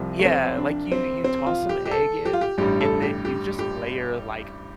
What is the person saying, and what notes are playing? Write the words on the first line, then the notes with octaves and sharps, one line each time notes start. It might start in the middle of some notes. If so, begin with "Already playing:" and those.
Yeah, like, you you toss some egg in, and then you just layer, like,
Already playing: C2 C3 F3
A3
C4
D4
C4
C4
F4
G4
G4
A4
G4
F4
G4
A1 G2 G3 G4
A4
G4
G4
G4